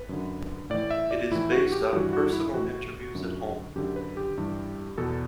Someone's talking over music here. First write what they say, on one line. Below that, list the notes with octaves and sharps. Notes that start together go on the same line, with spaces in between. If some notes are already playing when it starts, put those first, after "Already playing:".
It is based on personal interviews at home.
Already playing: B4
F#2 D3
A2 E3 D5
E5
D5
A2 E3 E4
F#4
G4
G4
G2 E3 F#4
F#4
E4
A2 E3 F#4
F#2 D3
F#2 D3 G4
B4
G4
G2 E3
E2 B2 A4